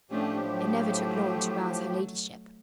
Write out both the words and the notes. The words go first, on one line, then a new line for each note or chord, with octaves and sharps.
It never took long to rouse her ladyship.
A2 F3 A3 C#4 D4 G4
F#3 A3